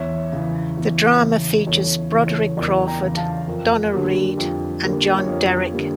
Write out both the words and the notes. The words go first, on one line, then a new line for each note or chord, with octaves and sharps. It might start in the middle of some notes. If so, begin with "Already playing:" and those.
The drama features Broderick Crawford, Donna Reed and John Derek.
Already playing: E2 C#5 E5
C#3 E3
E2
C#3 E3
E2 A4 C#5
C#3 E3
A4 C#5
E2 A#4 D5
G5 A#5
C#3 E3
F5 A5
F2 A#4
D3 G3 A#3
F2
D3 G3 A#3
C#5
F2 A#4
D3 G3 A#3